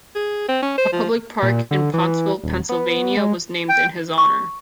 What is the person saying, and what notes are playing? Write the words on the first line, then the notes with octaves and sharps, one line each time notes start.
A public park in Pottsville, Pennsylvania was named in his honor.
G#4
C4
C#4
C5
F3
A#2
D3
E3
D#1
B3
G#3
G5
C#6